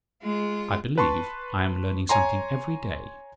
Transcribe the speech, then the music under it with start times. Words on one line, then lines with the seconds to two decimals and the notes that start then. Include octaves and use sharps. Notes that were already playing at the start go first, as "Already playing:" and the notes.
"I believe I am learning something every day."
0.22 G#3 F4
0.98 B4 A5 C6 C#6
2.09 C#5 G#5 A#5 C6